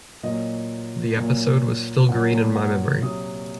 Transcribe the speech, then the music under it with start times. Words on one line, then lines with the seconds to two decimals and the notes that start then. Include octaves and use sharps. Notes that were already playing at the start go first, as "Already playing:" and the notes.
The episode was still green in my memory.
0.23 A#2 F#3 D#5
1.17 A#2 F#3
2.09 A#2 F#3 F#5
2.55 F#5
3.02 C3 F#3 D#6